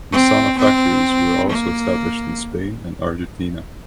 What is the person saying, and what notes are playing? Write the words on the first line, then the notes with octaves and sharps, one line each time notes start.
Meccano factories were also established in Spain and Argentina.
C4
C4
A#3